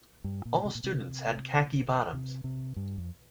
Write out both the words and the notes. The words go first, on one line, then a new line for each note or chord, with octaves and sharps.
All students had khaki bottoms.
G2
A#2
C3
A#2
C3
C3
C3
G2
F2